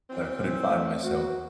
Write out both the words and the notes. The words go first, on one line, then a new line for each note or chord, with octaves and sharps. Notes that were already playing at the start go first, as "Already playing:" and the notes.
uh, couldn't find myself
E3 F#3 C4
A3
F#4